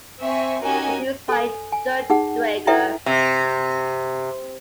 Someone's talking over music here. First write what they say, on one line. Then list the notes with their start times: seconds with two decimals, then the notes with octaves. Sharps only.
Produced by Dirk Draeger.
0.20 C4 E5 G#5 C#6
0.62 C#4 D#4 F#4 G4 A#4 G#5
1.29 A4 G#5
1.72 G#5
2.10 D#4 G#4 F#5
2.67 E4 A4 B4 E5 G5 A#5
3.06 C3